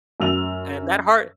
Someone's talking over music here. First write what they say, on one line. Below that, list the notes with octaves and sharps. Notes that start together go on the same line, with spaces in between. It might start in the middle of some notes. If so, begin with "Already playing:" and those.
And that hard
F#2 E6 F7